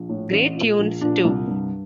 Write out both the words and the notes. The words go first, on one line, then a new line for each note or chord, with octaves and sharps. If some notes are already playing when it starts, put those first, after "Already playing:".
Great tunes too.
Already playing: A#1
A2
A1
A#2
A#1
A#2 D4
C2
G2